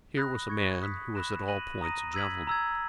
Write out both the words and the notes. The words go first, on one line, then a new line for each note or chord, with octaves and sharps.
Here was a man who was at all points a gentleman.
B5 D#6 F#6 A#6
C#6 G#6 C#7
D#6 F#6 B6
B5 F#6 A#6 E7
F#6 A#6 D#7 F#7
A#5 D#6 A#6 D#7
E6 G#6 B6 F#7
A#5 E6 G#6